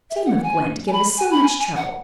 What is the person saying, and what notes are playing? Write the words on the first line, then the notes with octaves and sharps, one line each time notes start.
Shame of Gwen to give us so much trouble!
E5
F#5
F#5
G#5
G#5
B5
G#5
B5
G#5
G#5
F#5